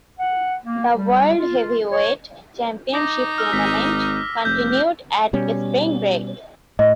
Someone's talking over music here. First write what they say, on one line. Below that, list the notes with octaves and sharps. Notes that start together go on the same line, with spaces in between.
The World Heavyweight Championship tournament continued at Spring Break.
F#5
A#3
G3
F4
C#5
D#4 D6 A#6
E6 F6
G#1 B6
F1 G6
B2 G3 C#4
A2 D#5